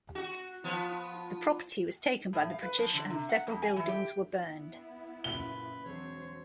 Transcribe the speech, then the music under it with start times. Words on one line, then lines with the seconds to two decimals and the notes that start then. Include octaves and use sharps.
The property was taken by the British and several buildings were burned.
0.15 F#4
0.64 F3 B3
2.33 A2
2.50 F5
2.62 B4
2.78 F3
2.94 D3
3.10 C3
3.29 F#5
3.47 F2
3.62 G#5
3.76 E3
3.88 G4
4.38 B3 E4
5.24 F#1 F#2 A#2 B4 G7
5.85 E1 F#3 C4 C5 C#5